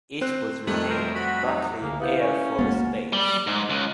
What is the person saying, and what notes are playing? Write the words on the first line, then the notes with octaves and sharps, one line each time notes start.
It was renamed Buckley Air Force Base.
C4 C5 F#6
F2 D#3 G3 A3 F#6
B2 A#4 C5
F#4 B5
C3 F#3 D#4
C#2 D3 A#3 G#4
B3 E4 G4 B4 E5 F5 G6
C#4
C#2 G#3 A#3 B3 F#4 F#5 A6
A#3
G3
G#2
C#2